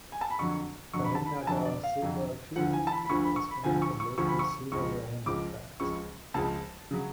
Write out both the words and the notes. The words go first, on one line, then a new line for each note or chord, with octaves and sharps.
Karimnagar Silver Filigree is one of the local silverware handicrafts.
G#5
A5
B5
F2 D3 F#3 C#6
F2 D3 F#3 C#6
B5
A5
B5
G#5
F2 D3 F#3 A5
D5
F5
F2 D3 F#3
D2 D3 F3 F#5
G#5
A5
B5
B5
D2 D3 F3 C#6
B5
C#6
B5
D2 D3 F3 G#5
C#6
C#6
D2 D3 F3 C#6
B5
C#6
C#2 C#3 F3 C#6
C#2 C#3 F3 D6
C#2 C#3 F3 C#6
C#2 C#3 F3 A5
C#3 F#3